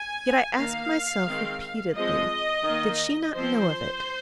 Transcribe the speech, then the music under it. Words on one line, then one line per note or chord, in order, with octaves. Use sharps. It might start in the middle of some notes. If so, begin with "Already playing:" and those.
Yet I asked myself repeatedly: Did she not know of it?
Already playing: G#5
D#3 A#3 F5
D#3 G#3 C4
F3 G#3 C4 D#5
D#3 A#3
F3 C4 C5